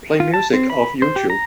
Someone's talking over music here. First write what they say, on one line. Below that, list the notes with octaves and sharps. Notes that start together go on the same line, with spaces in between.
Play music off Youtube.
F4
A5
C4
B5
C5
G4
A#5